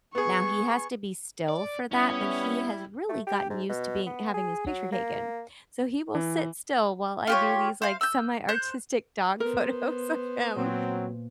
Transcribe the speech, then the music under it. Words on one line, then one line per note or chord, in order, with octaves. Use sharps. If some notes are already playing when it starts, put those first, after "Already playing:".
now, he has to be still for that, but he has really gotten used to being having his picture taken, so he will sit still while I do these, like, semi-artistic dog photos of him
B3 G#4 C#6
D5
G3 B3 C#4 E4
A3
G4
G#2
B2
B3
G#4
F#3
A#3
E3
F4 G4 C#5
C5 F5
E6 G6
C5 F#6 G6
B3 A#4 C5
A#2 F#3 C4